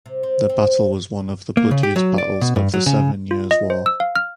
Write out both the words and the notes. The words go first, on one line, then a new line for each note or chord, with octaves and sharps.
The battle was one of the bloodiest battles of the Seven Years' War.
C3
C4
C4
A#3
C#3
G4
F#3
D5
B2
G2
F#3
C#3
F4
D#5
C5
E6
F5
F6